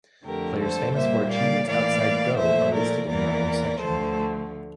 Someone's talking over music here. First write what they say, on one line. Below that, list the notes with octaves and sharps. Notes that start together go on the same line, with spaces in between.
Players famous for achievements outside Go are listed in their own section.
F2 D3 F3 A3 G4 A#4
A4 C5
A#2 G3 A#3 C5 E5
D5 F5
A2 E3 A#3 D5 F5
A#2 F3 A3 C5 E5
A#4 D5
E2 E3 A#3 A#4 D5
D2 D3 F3 A3 A4 C5